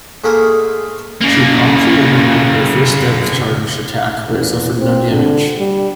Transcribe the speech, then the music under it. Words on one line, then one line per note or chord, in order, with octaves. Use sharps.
She promptly underwent her first depth charge attack but suffered no damage.
G#2 A3 A#3 G#4 A#4
C#3 A#3
E2
C4
D3
G3